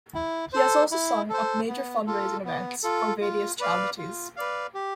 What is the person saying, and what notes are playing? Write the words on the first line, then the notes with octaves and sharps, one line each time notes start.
He has also sung at major fund-raising events for various charities.
E4
A4 C5
E4
A4 C5
B3
F4 A4
B3
F4 A4
F4
B4 D5 F5
F4
B4 D5 F5
G4